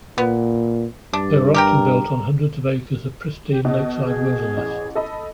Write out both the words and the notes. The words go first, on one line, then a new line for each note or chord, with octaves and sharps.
They were often built on hundreds of acres of pristine lakeside wilderness.
A#2 B3
G2 D4
G4 A#4 G5
G4
B2 D#5
G#4
A1
A4 D#5 B5